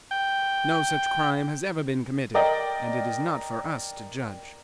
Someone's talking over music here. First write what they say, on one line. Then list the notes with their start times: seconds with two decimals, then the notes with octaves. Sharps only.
No such crime has ever been committed, and it is not for us to judge.
0.11 G5
2.34 A#4 D5 D#5 G5